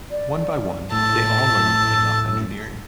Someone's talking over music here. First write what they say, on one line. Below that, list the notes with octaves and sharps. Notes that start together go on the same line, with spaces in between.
One by one, they all learned enough engineering.
D5
A2 A5 E6